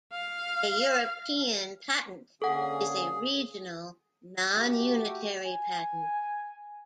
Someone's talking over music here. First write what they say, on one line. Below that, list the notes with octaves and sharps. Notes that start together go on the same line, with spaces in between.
A European patent is a regional, non-unitary patent.
F5
D3 A#3 C#4 G#4 A4 F#5
A3 F#4 G4
G#5